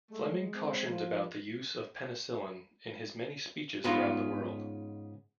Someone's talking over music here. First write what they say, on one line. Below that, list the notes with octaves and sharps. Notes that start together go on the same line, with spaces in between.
Fleming cautioned about the use of penicillin in his many speeches around the world.
G#3 A3
C4
F3
G#2 C#3 B3 D#4 F4 A#5